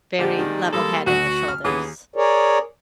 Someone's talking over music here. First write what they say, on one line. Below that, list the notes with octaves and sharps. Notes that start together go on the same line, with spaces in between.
very level head on your shoulders.
A#2 D3 G3 G#3 G4
D#3
G3 G#3 A#3 A4
D2 F#4
F6
D#2 E3 B3 C#4 G#4 D#6
G#4 A#4 C#5 D5